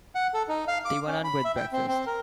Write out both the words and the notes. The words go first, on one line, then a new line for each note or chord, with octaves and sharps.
They went on with breakfast.
F#5
A4
D#4
F5
D6
C#4
B5
E5
G5
C4
C4
A#4